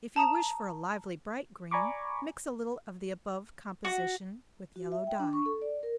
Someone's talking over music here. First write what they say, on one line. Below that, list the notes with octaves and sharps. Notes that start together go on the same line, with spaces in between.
If you wish for a lively bright green, mix a little of the above composition with yellow dye.
A5 A#5 D#6 E7
D5 G#5 A#5 B5 C#6 D6
F#4
F#4
E5
G5
D4
C#6
A4
D5
A#4